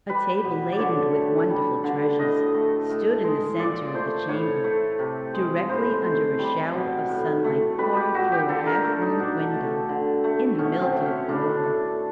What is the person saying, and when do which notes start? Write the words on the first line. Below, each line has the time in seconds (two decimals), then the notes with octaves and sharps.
A table laden with wonderful treasures stood in the centre of the chamber, directly under a shower of sunlight pouring through a half-ruined window in the mildewed wall.
0.09 G3 B4
0.44 B2
0.72 D5
0.79 D3 C#5
1.15 A3
1.50 G3
1.84 D3
2.19 A2 D#5
2.54 A3
2.89 A2
3.24 G#3
3.59 A#2 D5
3.94 A3 C5
4.29 A2 C#5
4.64 A3
4.99 C3
5.34 G#3
5.69 A2 C5
6.04 A3
6.39 G3
6.74 B2
7.09 A2
7.44 A3
7.78 G3 B4
7.96 G4
8.15 A#2 F#4
8.32 G4
8.49 D3 A4
8.66 A#4
8.83 A3 A4
9.02 D#4
9.19 B2 D4
9.53 A3
9.89 D3
10.24 A3
10.59 B2 C#4
10.82 C4
10.94 A3
11.06 C#4
11.28 A2 D4
11.64 A3